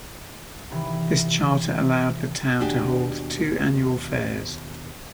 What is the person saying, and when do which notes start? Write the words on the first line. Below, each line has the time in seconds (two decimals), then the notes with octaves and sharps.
This charter allowed the town to hold two annual fairs.
0.71 C3 D#3 E3
2.59 D#2 B2 D4 F#4 G4 G#5